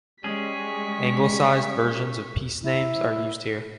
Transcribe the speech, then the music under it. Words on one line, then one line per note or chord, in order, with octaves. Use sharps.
Anglicised versions of piece names are used here.
G3 G#3 C#4 G#4 C#6 B6
E4